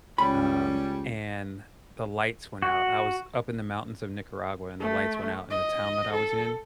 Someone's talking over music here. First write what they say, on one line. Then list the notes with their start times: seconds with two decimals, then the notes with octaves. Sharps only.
um, and the lights went out. I was up in the mountains of Nicaragua, and the lights went out in the town that I was in,
0.18 C#2 G3 C#4 B5
2.62 F#4
4.80 A3
5.50 D#5
6.13 A4